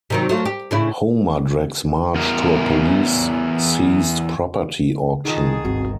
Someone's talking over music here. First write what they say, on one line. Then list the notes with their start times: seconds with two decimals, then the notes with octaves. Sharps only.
Homer drags Marge to a police seized-property auction.
0.10 C3 D#3 F#3
0.29 F#3 A3 F4
0.45 G4
0.71 A2 C#3 E4
2.15 E2 A#4
5.25 B2 D#3 D#4 F4 G#4 A5
5.65 G1 C#2 C4 F#4